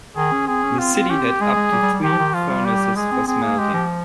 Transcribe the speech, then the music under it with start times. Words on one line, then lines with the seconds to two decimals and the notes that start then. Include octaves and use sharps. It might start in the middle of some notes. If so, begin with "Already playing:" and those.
The city had up to three furnaces for smelting.
0.16 D#3 G#4
0.32 C#4
0.47 C4 G#4
0.63 C#4
0.78 C4 F4
0.95 C4
1.09 C#4 G4
1.20 C4
1.41 G#3 G#4
1.56 G#3
1.72 G3
1.82 G3
1.93 G3
2.03 D#3 G4
2.12 F3
2.19 D#3
2.34 F3 F4
2.49 G3
2.65 G4
2.96 G#3 G#4
3.12 C4
3.27 C4 G#4
3.42 A#3
3.58 G#3 G4
3.73 F3